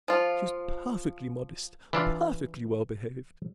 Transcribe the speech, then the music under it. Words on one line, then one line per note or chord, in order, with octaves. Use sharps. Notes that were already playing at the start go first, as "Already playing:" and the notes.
She was perfectly modest, perfectly well behaved.
F3 F4
E3 D4 F4